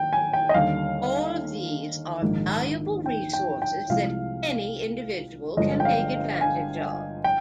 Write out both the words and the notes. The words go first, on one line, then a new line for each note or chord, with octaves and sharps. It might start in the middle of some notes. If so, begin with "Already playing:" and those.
All of these are valuable resources that any individual can take advantage of.
Already playing: D#2 G5
G#5
G5
D#5
D#2 D3 G3 F5
A#1 G#2 D#3 G#3
G5
G5
G5
C2 C3 F3 G#3 F5
G1 G2 F3 G#3 D#5
G5
F5
G#5
G5